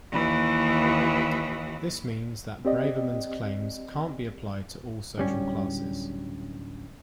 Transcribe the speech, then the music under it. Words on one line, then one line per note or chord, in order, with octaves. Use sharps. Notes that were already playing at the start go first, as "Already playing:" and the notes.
This means that Braverman's claims can't be applied to all social classes.
D#2 E3
C4 G4 D5 D#5
D1 G3 C#4